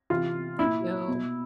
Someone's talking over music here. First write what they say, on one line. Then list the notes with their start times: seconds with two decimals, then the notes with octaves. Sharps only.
Thank you.
0.10 C3 E3 F4
0.59 A#2 E4
1.08 B2